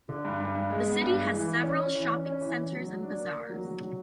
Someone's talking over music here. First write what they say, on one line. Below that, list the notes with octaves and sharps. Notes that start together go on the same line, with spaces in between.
The city has several shopping centers and bazaars.
D3
G2
G2
G2
G#3
B3
G2
G#3
E3
E3
C#4
C#4
E3
C#4
C#4
E3
C#4
F#3
F#3
D4
A#3
A#3
F#3
F#3
F#3